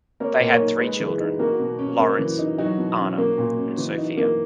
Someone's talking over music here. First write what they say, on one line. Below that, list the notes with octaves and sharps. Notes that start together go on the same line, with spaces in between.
They had three children, Lawrence, Anna and Sophia.
A#3 A#4 C#5
A#2
A#4 C#5
D#4
G#3 G#4 B4
E3
D#4
A#3 F#4 A#4
B2
C#4
A#3
E3
D#4
F#3 D#4 F#4
B2
C#4
A#3
A#2
C#4
E3
D#4
A#3